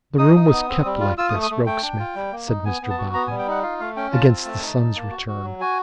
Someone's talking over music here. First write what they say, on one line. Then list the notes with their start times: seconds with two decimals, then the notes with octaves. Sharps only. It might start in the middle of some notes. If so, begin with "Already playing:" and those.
'The room was kept like this, Rokesmith,' said Mr Boffin, 'against the son's return.
0.18 D#4 D#6
0.36 D#4
0.52 B3
0.68 C4
0.85 G3
1.00 F4
1.18 F4 E6
1.30 D#6
1.34 A3
1.42 D#6
1.51 A3
1.66 A3 G5
1.82 D4
1.99 F4
2.15 G3
2.32 A#3
2.48 D#4
2.65 B3 G#5
2.82 B3
2.90 A5
2.98 F#4
3.14 B3 A#5
3.27 G3 G#5
3.39 G5
3.47 D#4 F#5
3.63 F4 F5
3.80 A3 F5
3.97 C#4 G5
4.12 F4 A5
4.28 C4
4.45 A3
4.61 D#4
4.79 D#4
4.95 A#3
5.10 F#4
5.28 F#4
5.43 F#3
5.61 F#4 G#5